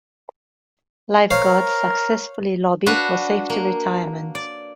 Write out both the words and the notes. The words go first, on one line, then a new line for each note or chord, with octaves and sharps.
Lifeguards successfully lobby for Safety Retirement.
A#4 C5 C#5 F5
D4 F#4 B4 F5
A#3
D5